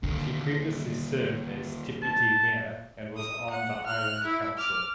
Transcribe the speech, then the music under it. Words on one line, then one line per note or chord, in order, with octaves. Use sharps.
She previously served as Deputy Mayor and was on the Island Council.
D#2 A#2 D3
A5
D#6
F#5
F6 F#6
E4
D6 F6